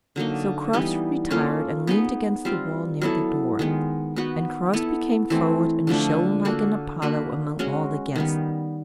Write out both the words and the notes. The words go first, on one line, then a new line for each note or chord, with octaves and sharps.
So Crofts retired and leaned against the wall near the door; and Crosbie came forward and shone like an Apollo among all the guests.
D3 F#3 A#3 D#4
E3 G3 B3 D#4
A#3 C#4 F4 A4
B3 D#4 G#4 B4
G3 C4 F4
F#3 B3 E4 A4
D#3 G#3 B3
B3 D#4 F#4 B4
B3 E4 A4
E3 A3 C4
D3 F3 A3 D4
A#3 D4 F#4 A4
A#3 D4 F#4 B4
G#3 C#4 F#4
D#3 G3 B3